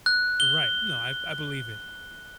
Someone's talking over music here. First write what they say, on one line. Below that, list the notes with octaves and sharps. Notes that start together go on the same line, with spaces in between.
Right, no, I b I believe it,
F#6
G7